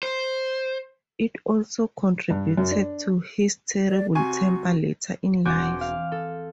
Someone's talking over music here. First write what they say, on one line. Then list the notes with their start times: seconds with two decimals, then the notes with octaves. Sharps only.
It also contributed to his terrible temper later in life.
0.03 C5
2.30 G2
2.57 F#2
2.71 D4
3.89 D5
4.15 C3 F#4 G#5 C#6
5.45 E1 C4 F#4 G#5 D6 G6
5.81 F5
6.12 A4